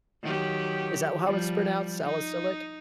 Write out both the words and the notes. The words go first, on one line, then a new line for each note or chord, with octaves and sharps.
Is that how it's pronounced, salicylic?
D#3 F#3 G4
F3 G3
D#4